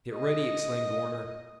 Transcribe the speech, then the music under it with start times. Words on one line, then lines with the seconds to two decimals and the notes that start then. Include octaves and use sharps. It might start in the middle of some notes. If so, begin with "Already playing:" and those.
"Get ready!" exclaimed Warner.
0.14 D#5